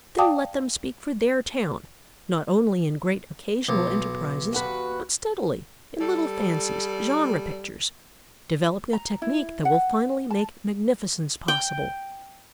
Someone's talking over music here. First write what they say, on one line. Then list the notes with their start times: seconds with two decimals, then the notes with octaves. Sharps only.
Then let them speak for their town, not only in great occasional enterprises, but steadily, in little fancies, genre pictures, developing a technique that will finally make magnificence possible.
0.18 D5 F5 G5 A5 D6 D#6
3.69 B1
4.53 D#2 F#4 B4
6.00 G3 A4
8.93 A#5
9.22 E4
9.65 F#5
10.31 A5
11.48 G5